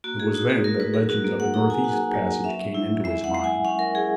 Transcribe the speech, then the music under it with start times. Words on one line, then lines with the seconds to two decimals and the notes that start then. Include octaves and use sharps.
It was then that legends of a North-East Passage came into his mind.
0.04 A#3 F#4
0.20 G#4
0.34 D#4 F#4
0.50 G#4
0.64 F#4 A#4
0.80 B4
0.94 F#3 G#4
1.09 F#4
1.24 A#3
1.40 F#5
1.54 D#4 A#5
1.70 G#5
1.84 F#4 F#5
2.14 F#3
2.44 C#4 E5
2.74 E4
3.04 G#3 E5
3.24 F#5
3.34 G#3 F#5
3.44 G#5
3.65 C#4 F#5
3.79 A#4
3.95 E4 G#4